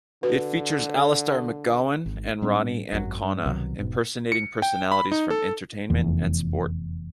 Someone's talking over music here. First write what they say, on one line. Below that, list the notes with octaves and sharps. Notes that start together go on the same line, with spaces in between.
It features Alistair McGowan and Ronni Ancona impersonating personalities from entertainment and sport.
D3 F#4 B4
G#1
A2 G3 C4 D4
G#1 F#2 A2 F#3
G2
C2 B2 D#3 F#3
E1 G#2 B2
C#7
G5
B5
D#4
A4
F1 E2